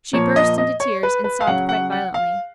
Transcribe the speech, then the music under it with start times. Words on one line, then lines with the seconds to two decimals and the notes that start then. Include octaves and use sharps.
She burst into tears, and sobbed quite violently.
0.13 A#2 F3 A#3 C#5
0.36 D#5
0.58 D#5
0.80 C#5
1.03 B4
1.24 B4
1.41 F5
1.47 C#3 F#3 C#4 F#5
1.69 F#5
1.92 F#5
2.14 F5